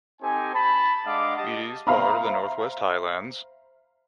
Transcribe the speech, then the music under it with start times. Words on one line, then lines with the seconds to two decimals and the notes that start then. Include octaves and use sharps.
It is part of the Northwest Highlands.
0.21 C4 D#4 G4 A4 G#5
0.54 A5 B5
1.05 G#3 D4 D#5 F5 F#5 D6
1.37 G4 D#5 A5
1.87 C5 E5 F5 A#5 B5